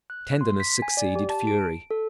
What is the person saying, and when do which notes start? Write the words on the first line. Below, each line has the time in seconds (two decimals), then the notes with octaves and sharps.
Tenderness succeeded fury.
0.10 F#6
0.41 C6
0.60 B6
0.82 G#5
0.97 D5
1.16 G4
1.30 A5
1.47 D7
1.91 A4